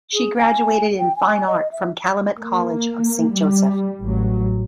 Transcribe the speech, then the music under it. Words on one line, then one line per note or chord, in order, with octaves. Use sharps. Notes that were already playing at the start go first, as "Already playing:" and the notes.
She graduated in Fine Art from Calumet College of Saint Joseph.
G#4
G#5
G5
G#5
D#5
E5
A#3
G3
A1 F#3